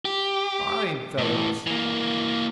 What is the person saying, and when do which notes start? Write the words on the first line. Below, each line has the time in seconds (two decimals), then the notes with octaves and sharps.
Fine fellows!'
0.05 G4
1.18 A2 E3
1.67 E3 A#3